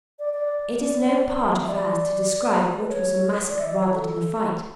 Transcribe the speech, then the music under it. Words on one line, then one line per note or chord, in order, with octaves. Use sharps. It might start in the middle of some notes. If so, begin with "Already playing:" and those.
It is no part of ours to describe what was a massacre rather than a fight.
D5
D5
D5
E5
D5
B4
C#5
D5
E5
D5
C#5
A4